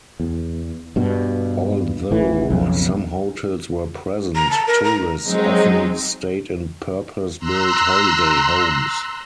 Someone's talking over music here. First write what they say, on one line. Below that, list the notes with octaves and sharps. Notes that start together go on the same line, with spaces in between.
Although some hotels were present, tourists often stayed in purpose-built holiday homes.
E2
G2 B2
A1 E3
B1 F2 C#3
A#5
A5
A#4
A#5
F#3 G#3 C4 D#4
A#5 C6 E6 F#6